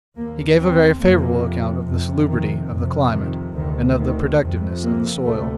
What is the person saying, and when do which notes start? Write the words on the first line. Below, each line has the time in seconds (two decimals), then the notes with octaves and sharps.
He gave a very favourable account of the salubrity of the climate and of the productiveness of the soil.
0.15 D#2 A#3
0.58 C4
1.00 F2 C3 A#3
1.85 F2 C3
2.27 D#3
2.70 F2 C3
3.12 D#3
3.55 D2 C3 D#3
3.97 D#3
4.40 F2 C3
4.82 A#3
5.24 D2 C3 A3